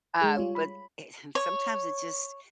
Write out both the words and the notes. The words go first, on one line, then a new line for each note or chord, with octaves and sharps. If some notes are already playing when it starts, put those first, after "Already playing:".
uh, but, eh and sometimes it's just
G#3 G#4
G3 F4 C#5
B5
C#5